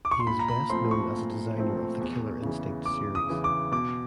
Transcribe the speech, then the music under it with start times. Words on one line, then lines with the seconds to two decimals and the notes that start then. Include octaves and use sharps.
He is best known as a designer of the "Killer Instinct" series.
0.05 D6
0.11 C#6
0.20 C6
0.27 A#2 B5
0.39 A#5
0.48 B5
0.70 F3 A3 C4 C6
0.91 C#6
1.13 A#2
1.56 F3 A3 C4
2.00 E2
2.42 C#3 E3
2.85 E2 D6
3.15 D#6
3.29 C#3 E3
3.44 D6
3.72 B2 D6